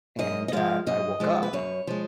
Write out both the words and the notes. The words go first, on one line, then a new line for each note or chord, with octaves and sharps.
and that I woke up
F#2 D#5
D#5
F3 G#3 F5
F#2 D#5
F3 G#3
B4
F#2 C#5
F3 G#3